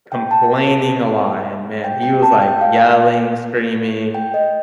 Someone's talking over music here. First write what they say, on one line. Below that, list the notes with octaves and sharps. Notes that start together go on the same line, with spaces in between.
complaining a lot, and, man, he was, like, yelling, screaming,
G5
A5
G5
G5
A5
G5
F5
G5
D#5